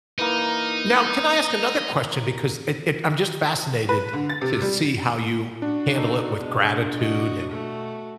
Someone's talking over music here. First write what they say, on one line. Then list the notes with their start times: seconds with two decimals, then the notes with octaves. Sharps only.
Now, can I ask another question, because it it I'm just fascinated to see how you handle it with gratitude and
0.19 E3 A#3 D#4
3.89 B4
4.13 D3
4.29 A6
4.42 C3
4.62 G3
5.62 D4 F#4
5.95 D#4 A4
6.41 B2 G#3
6.97 F#4 D#5
7.51 A3 F#4